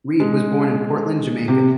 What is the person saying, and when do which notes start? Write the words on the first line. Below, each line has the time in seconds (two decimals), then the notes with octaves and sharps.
Reid was born in Portland, Jamaica.
0.20 G#3
1.48 C3